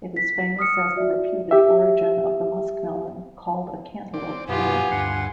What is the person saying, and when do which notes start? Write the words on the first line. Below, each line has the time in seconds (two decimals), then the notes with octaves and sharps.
It is famous as the reputed origin of the muskmelon called a cantaloupe melon.
0.16 B6
0.59 D#6 F6 C#7
0.96 F#4 D5 E5
1.51 G4 E5
4.14 C4 D5
4.49 F#2 B2 B3 F4 G4 G#5
4.91 D2 G2 F#5 C6